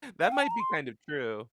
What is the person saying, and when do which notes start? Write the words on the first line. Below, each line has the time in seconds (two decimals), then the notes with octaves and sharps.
That might be kind of true,
0.22 F5
0.32 G5
0.42 A5
0.51 A#5
0.60 C6